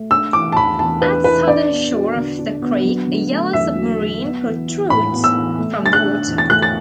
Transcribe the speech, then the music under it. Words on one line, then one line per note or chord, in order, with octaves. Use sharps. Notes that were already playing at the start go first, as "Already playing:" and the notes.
At southern shore of the creek, a yellow submarine protrudes from the water.
Already playing: A3
D4 E6
E3 D6
A5
E2 B5
E2 A5
D4 B4
E3 B4
D4 D5
B3
F#4
D3
D4
B3
F#3
D3
A3
E2 E5
F#3
D3
B3
E3
E4
A2 B5
B3
E6
E3
A3
D3 A6
F#6
D4
E2
A6
A3 F#6
A6